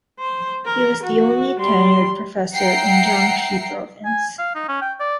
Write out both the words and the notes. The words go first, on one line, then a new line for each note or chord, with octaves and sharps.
He was the only tenured professor in Jiangxi province.
C5
A#4
F#4
G3 C6
E5 F#5 G5 A#5 C7 C#7
G#5
F5
D#4
C#4
G5
D5